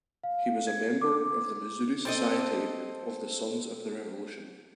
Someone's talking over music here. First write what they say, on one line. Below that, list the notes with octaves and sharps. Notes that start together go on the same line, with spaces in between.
He was a member of the Missouri Society of the Sons of the Revolution.
F5
G#6
D6
C4 A4 D#5